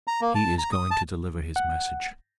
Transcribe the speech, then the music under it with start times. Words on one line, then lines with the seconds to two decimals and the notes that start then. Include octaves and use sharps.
He is going to deliver his message.
0.07 A#5
0.21 A#3
0.35 A5
0.58 A#5
0.72 D#6
0.91 A5
1.56 F#5